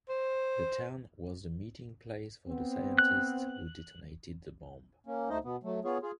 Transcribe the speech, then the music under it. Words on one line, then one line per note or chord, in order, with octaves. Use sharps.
The town was the meeting place for the scientists who detonated the bomb.
C5
B3 C4
F#6
A#3 C#4
D2 A3 D#4 C5 D#5
B2 B3
F#3 A3
B3 F4 G#4 C#5
F4 G#4